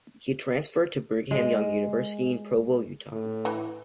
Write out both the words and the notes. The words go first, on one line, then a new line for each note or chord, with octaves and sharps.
He transferred to Brigham Young University in Provo, Utah.
G#3
A2
E3